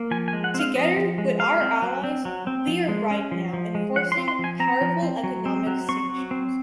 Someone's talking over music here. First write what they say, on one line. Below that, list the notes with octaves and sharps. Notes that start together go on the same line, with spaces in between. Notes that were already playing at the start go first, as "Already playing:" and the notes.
Together with our allies – we are right now enforcing powerful economic sanctions.
Already playing: A#3
F3 G#5
G#5
G#3
F#5
C4
F5
F3 D#5
F3
G#3
F#3 F5
C4
F#3
C4
F#3
C4
F3
G#3
C#4
F3
F3
G#3
F3 F#5
C6
C4
C6
F3 G#5
C4 A#5
F3
C4
F#3
C4
F#3
C4 C#6
F#3
C4